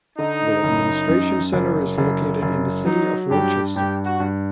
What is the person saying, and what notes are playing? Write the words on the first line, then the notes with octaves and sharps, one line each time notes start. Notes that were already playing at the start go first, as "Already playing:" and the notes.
The Administration Center is located in the city of Rochester.
D3 D#4
F#1
F#2
F#1
F#1
F#1
F#3 D#4
G2 G4
G2 G4
F#4
G2